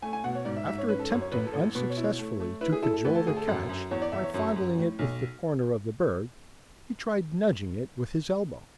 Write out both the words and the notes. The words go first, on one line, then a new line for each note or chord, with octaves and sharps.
After attempting unsuccessfully to cajole the catch by fondling it with the corner of the berg, he tried nudging it with his elbow.
A3 G#5
G#5
B2 F#5
C#5
G#2 D5
E5
G#2 E5
C#5
C#4 B4
A4
F#2 C#5
C#5
A1 B4
A4
A1
B2 B4
C#5
E4
C#5
A3
A3
E4 B4
G#4
E4 A4
A4
D2 B4
A4
D2 G#4
A4
F#2
F#2
E2 C#5
D5
E2 E5
C#5
F#2 C#5
F#2
A2
B1